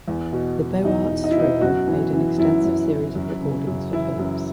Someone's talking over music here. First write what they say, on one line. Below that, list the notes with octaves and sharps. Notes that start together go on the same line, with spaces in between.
The Beaux Arts Trio made an extensive series of recordings for Philips.
E2
B2
B2
E2 D#4
E2
D#4
E4
B2 D#4
F#2 F#4
E3
E3
F#2 E4
F#2
E3
F#2
C#3
F#2
E3 E4
F#2